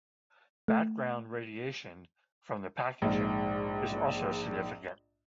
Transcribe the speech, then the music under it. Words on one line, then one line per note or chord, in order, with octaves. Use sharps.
Background radiation from the packaging is also significant.
A3
A#1 G#2